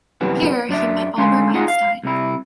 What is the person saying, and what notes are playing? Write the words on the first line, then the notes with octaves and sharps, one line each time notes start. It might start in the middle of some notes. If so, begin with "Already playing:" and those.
Here he met Albert Einstein.
F#2 C3 E3 G3 B3
F#2 D4 D5 E5
D3 G#3 C#4 F5 G#5 C6
D#4 F4 G#4 F#5
F5
C2 C3 E4